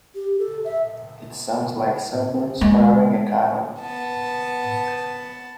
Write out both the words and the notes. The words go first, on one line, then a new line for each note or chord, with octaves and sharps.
It sounds like someone's firing a cannon.
G4
A4
E5
G#3
B3 A5